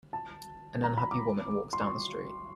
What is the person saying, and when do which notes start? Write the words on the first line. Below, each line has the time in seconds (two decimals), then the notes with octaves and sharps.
An unhappy woman walks down the street.
0.13 A5
0.84 A#5
0.98 B5
1.11 D6
1.73 C6
1.81 C#6